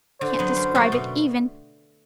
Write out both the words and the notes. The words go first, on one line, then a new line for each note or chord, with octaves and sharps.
I can't describe it even....
D3 C5
F#3 B3
F#2
F#3 A3 D4 A4
B2